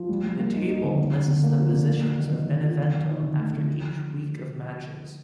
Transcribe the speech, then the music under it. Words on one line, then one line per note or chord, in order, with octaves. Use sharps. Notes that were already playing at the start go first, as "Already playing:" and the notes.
The table lists the positions of Benevento after each week of matches.
Already playing: F3
G3
G3
A#3
D#4
D#4
D3
D3
D3
D3
A#3
F3
D3
A#3
A#3
D#3
D#3
D#3
F4
D3
D3
D#4
D3
A3
D3
F3